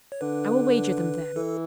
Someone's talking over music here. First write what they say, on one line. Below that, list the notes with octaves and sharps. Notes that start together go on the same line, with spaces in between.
"I will wager them, then."
C#5
D3 B4
E3 A4